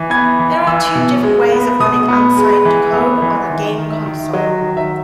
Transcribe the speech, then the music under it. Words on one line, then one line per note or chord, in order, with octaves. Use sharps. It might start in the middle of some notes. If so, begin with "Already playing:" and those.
There are two different ways of running unsigned code on a game console.
Already playing: E3
B3 G#6
E3
E3 E6
B2
G#3
B3
B2 D#6
B3
G#3
E3
B3
E3
D#3
D#3
E5
D#3
F#3 D#5
D#3
E5